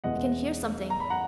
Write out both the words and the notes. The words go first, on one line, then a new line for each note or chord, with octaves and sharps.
"I can hear something!"
E2 B2 G#3 B3 E4 D#5 F#5
A#5
B5
F#5 A#5